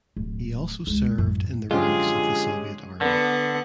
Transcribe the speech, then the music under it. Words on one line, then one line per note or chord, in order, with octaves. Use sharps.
He also served in the ranks of the Soviet Army.
D1
C#2 E4
A1 F#2
F#2 D3 F3 G#3 C#4 F4 G4 G#4
D3 B3 F#5